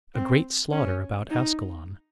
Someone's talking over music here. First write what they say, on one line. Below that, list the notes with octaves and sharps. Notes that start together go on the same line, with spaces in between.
A Great Slaughter About Ascalon.
C4
C#4
D#4